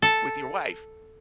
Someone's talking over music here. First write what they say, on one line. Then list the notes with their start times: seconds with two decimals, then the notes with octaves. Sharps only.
With your wife.
0.02 A4